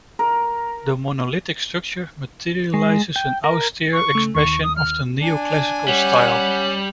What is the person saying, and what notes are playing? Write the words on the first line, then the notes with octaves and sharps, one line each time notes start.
The monolithic structure materializes an austere expression of the neoclassical style.
A#4
G#3
G5
A#4
C#6
C#3 A3
D#2 D#3 C#6
D#6
F6
D4 G#5
G3 C#4 F#5